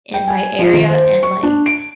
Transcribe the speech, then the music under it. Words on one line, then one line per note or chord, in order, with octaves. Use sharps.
in my area, and, like,
G5
G#5
F3
D#3
C5
C5
C#6
D4
D7